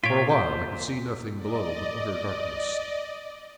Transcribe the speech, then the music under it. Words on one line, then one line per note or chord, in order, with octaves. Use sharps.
For a while I could see nothing below but utter darkness.
A#2 F4 C#5 B6 D7
C5
D5 D#5